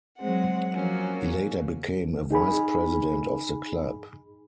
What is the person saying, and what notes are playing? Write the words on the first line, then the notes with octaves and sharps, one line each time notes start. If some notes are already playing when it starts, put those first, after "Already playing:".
He later became a Vice-President of the Club.
F#3 G#3 C4 F#5
F3 F#3 A#3 C#4
D#4 G#4 G#5 B5